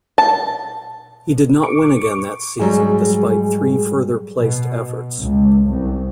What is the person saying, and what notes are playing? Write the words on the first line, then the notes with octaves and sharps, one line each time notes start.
He did not win again that season despite three further placed efforts.
A5
C#6 D6
G#2 F#3 G3 G#4
B2
C#2
C2